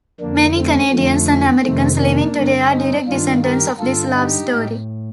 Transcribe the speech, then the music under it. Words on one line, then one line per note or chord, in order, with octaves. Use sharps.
Many Canadians and Americans living today are direct descendants of this love story.
F2 D3 A#3 D4
A3 C4
F2 D3 F3 A3
F2 C3 D#3 A3 C4
A#3 D4
G2 D3
C4 D#4
G2 D#3 D4 F4
G4 A#4
G2 D3 F4 A4
D#4 G4
A2